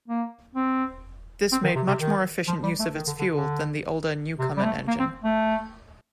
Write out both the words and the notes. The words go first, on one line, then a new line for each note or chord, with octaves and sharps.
This made much more efficient use of its fuel than the older Newcomen engine.
A#3
C4
C4
D#3
C3
C3
D#3
F3
G3
A3
D#3
D3
D3
D3
C3
G3
A3
A#3
C4
A3